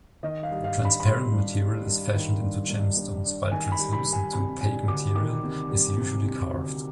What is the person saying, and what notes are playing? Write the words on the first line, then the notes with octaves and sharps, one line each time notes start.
Transparent material is fashioned into gemstones while translucent-to-opaque material is usually carved.
D#3 D#5
F5
G3
F5
D4
B5
B5
G3 C6
G2
G3
G2
D#3
G2
G2
G2
D4
D#3 G#5
B5
G3
B5
G3
G#5
C3 B5
G3 G#5
D2 D6
D#3 D6
C3
G3
C3
C3
D2